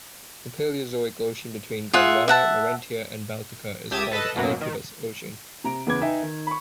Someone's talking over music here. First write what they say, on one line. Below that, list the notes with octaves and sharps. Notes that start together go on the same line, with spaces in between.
The Paleozoic ocean between Gondwana, Laurentia and Baltica is called the Iapetus Ocean.
F4 G#4 E5 F#5
E5 F#5 A5
C#2 G4 E5 A5 D#6 G#6
A4 B4 D#5 A5
F#2 B2 F#3 A#3
D#3
C3 A#5 D7
E2 C#3 B4 D6 G#6
D#4 B4 E5 G5 G#5
D#3
B5 C#6